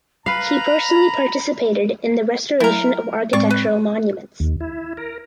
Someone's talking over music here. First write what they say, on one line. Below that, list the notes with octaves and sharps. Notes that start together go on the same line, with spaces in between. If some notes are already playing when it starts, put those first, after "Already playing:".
He personally participated in the restoration of architectural monuments.
B4 F5 A#5 B5
F#3 A3 E4 A#4
A2 G#3 C4 D5 C#6
B4
D#2
E4
A#4